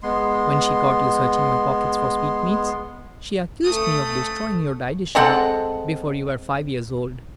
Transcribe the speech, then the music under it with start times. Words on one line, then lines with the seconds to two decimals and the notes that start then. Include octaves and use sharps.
When she caught you searching my pockets for sweetmeats, she accused me of destroying your digestion before you were five years old.
0.03 G#3 B3 C6
3.66 A3 D#6
5.15 G#3 C4 A4 F#5